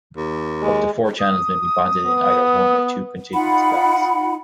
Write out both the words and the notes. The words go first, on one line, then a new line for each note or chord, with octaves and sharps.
Up to four channels may be bonded in either one or two contiguous blocks.
D#2
G#3
D#6
B3
D#4 F4 F#5 B5